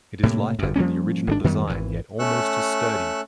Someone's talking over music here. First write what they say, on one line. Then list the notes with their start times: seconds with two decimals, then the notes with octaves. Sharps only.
It is lighter than the original design yet almost as sturdy.
0.23 A2 C3 A#3
0.59 G1 F#2
0.76 F3 G3 A#3 C#4
1.27 G#1 D3 D4
1.44 F#2 D#3 G3 B3
1.67 G#1 C#2 E3
2.19 A3 C#4 C#6 E6 F#6